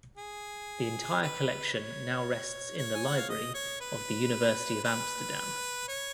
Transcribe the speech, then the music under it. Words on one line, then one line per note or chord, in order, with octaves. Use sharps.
The entire collection now rests in the library of the University of Amsterdam.
G#4
B4
C#5
C#5
G#5
F#5
F5
D#5
C#5
B4
B4
C#5